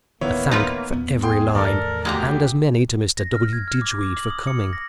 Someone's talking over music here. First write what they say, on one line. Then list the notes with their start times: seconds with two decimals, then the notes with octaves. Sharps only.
A thank for every line, and as many to Mr. W. Digweed for coming.
0.21 D1 D#3 E3 A#3 B3 C#5 E5
0.51 D#4 F4 B4
0.92 E2 A#2 B3
1.23 G#4 G5 C6
1.55 E2 A2 D#3 A4 A#4 D5
2.05 D2 G#3 A#3 G4 A#5
3.17 A#6
3.36 F6
3.53 G#6
3.68 F6
3.82 D6
4.01 D6
4.17 F#7
4.30 D#6
4.47 C#7
4.73 A#6